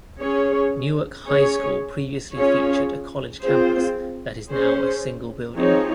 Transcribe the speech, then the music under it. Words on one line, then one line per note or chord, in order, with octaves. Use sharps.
Newark High School previously featured a college campus that is now a single building.
C#4 G#4 C#5
C#4 G#4 C#5
C#4 F4 G#4 C#5
C4 F4 G#4 C5
C#4 G#4 C5
F3 C4 D#4 G#4 C#5